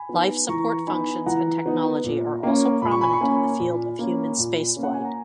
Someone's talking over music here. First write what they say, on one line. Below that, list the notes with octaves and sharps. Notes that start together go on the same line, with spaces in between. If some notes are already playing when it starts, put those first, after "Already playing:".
Life support functions and technology are also prominent in the field of human spaceflight.
Already playing: G#5 B5
B3 D#4
E3 A#5 C#6
B3 D#4 G#5 B5
E3 F#5 A#5
B3 D#4
A#2
A#3 C#4
A#2 B5
C#6
G#5 B5
C#6
A#3 C#4 G#5 B5
A#2
A#3 C#4
A#2
A#3 C#4
F#5
G#5
A#5